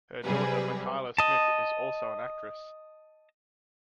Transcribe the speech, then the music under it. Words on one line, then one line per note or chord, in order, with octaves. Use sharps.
Her daughter Makyla Smith is also an actress.
C3 F#3 G3 G#4 B4
D#5 A5